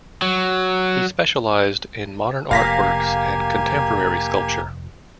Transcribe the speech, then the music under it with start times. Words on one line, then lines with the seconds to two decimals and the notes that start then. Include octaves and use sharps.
He specialised in modern art works and contemporary sculpture.
0.22 F#3
2.51 F1 A#3 G4 F5 G#5 A#5 A#6 B6